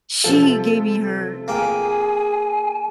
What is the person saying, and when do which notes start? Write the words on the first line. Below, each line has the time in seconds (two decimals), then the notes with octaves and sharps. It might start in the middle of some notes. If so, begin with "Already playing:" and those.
she gave me her
0.24 C3 F3 A4
1.48 A#3 G#4 G5 G#5